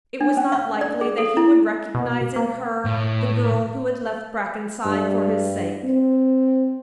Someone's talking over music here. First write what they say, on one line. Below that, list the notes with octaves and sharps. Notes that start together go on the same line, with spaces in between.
It was not likely that he would recognize in her the girl who had left Brackenside for his sake.
D4
C#4
F5
D5
G#4
A4
E4
B2
A#3
A2
G2
C4